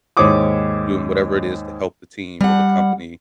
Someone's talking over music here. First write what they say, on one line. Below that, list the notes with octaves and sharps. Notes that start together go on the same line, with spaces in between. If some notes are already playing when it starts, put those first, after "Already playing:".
doing whatever it is to help the team, or the company,
D#2 G#2 C5 C#5 D6 D#6
G3 F#5